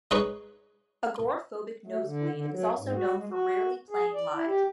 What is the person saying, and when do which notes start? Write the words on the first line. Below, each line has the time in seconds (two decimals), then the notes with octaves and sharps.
Agoraphobic Nosebleed is also known for rarely playing live.
0.11 G#3 D#4 B4 C#5
1.87 A3
2.04 D3
2.32 D3
2.52 F#3
2.78 G#2
2.95 F#4
3.16 G#3
3.30 F#4
3.91 G#4
4.14 D5
4.33 E4
4.46 G4